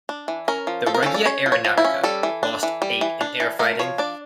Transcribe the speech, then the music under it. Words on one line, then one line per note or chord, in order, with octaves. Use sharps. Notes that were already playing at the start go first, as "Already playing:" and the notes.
The "Regia Aeronautica" lost eight in air fighting.
D4
E3
C#4 A#4
F3
F3 A4
A#4
C#4 A4
D5
C#4 C#5
F3
C#5
F3
E4
C#4
G3 A4
E3
D4
E3
G3
E3
D4
E3
A3 A#4
F3 C#5
D4 D5